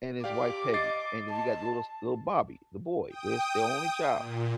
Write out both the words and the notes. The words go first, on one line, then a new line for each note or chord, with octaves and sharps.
and his wife, Peggy, and then you got the little s little Bobby, the boy. There's their only child.
G4 D5 F5 D6
D#5 A6 C7
A5
G5 D#6
A#2